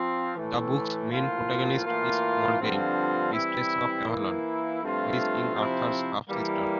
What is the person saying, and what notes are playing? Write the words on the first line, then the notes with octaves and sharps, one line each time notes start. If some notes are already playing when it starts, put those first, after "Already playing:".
The book's main protagonist is Morgaine, priestess of Avalon, who is King Arthur's half-sister.
Already playing: F3 C4 F4
A2 E3 A3
A2 F3 A#3 F4
A2 E3 A#3 F4
G2 D3 F3 C4 F4
E3 G3 C4 E4
E3 A#3 E4
G2 F3 A3 C4 F4
C3 F3 C4 E4
E3 G3 A#3